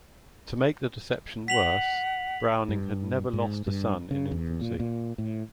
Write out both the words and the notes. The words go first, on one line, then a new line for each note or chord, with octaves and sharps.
To make the deception worse, Browning had never lost a son in infancy.
F#5 B6 F7 F#7
G2
G#2
G2
C#3
E2
A#2
A#2
A2